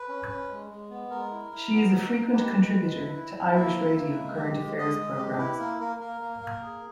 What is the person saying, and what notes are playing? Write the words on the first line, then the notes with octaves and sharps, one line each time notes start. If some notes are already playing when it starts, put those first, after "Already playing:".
She is a frequent contributor to Irish radio current affairs programmes.
Already playing: B4
C#4
C#4
G#3
G#3
B3
G#3 A#4
E4
E4
B3
D#4
D#4
G4 B4
G#3
G#3
E4
E4
E4
A#3 E5
E4
A#3
G#3
G4
G#3
G#3 D#5
G#3
G4
E4 B4
A#3 A#4
A#3 A#4
A#3 A#4
A#3
A#3
G#4